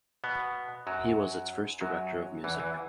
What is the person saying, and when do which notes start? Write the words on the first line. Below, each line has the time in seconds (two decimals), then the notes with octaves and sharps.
He was its first director of music.
0.24 B2 B3
0.87 F#2 F#3
1.81 F#2 F#3
2.44 E2 E3
2.60 E2 E3